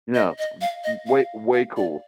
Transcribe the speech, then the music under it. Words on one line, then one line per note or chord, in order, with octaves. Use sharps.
Yeah, it's w w way way cool.
D#5
D#5
F5
D#5
F5
F5
D5